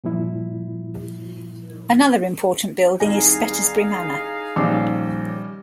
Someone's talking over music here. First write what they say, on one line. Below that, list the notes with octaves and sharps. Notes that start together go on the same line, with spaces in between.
Another important building is Spetisbury Manor.
G2 A#2 F3 E4
C2 D#3 D#4 G#4 F5 G#5 A#6
A#1 D#3 G3 C#4 D6